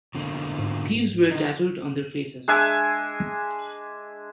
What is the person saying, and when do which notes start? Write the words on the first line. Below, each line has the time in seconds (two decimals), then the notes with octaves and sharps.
Thieves were tattooed on their faces.
0.15 B2 D3 A#3
0.59 G#2
1.31 D3 D#4
2.48 G#3 D4 E5 G#5